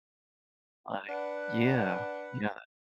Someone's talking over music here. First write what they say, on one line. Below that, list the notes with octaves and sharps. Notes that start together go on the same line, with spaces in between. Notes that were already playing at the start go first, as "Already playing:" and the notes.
Like Yeah, yeah.
D4 B4 F#5